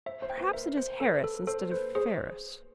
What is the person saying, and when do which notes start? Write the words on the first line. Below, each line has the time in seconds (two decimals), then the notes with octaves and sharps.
"Perhaps it is Harris instead of Ferris."
0.06 C5 E5
0.22 C5
0.30 G5
0.38 B4
0.53 A#4 E5
0.77 C5
1.00 A4 B4
1.24 A4
1.47 A4 C5
1.71 B4 C5
1.95 G#4 C5